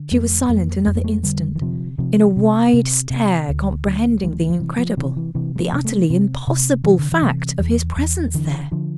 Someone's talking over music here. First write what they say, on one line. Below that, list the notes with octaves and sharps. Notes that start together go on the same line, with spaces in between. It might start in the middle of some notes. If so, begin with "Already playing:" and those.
She was silent another instant, in a wide stare comprehending the incredible, the utterly impossible fact of his presence there.
Already playing: D3
F2 A3
F2 A#3
F2 A3
A#3
A3
D3 G3
E3
C3 F3
C3 F3
C3
C3
C3
D2
D2
D2 G3
F3
E3
F3
C3 E3
F3
C3 E3
E3
C3 E3
G3
F3
C3
A3
C3 C4
C3
C3 E3
D3
E3
C3
E2
E2
D3 E3
D3 F3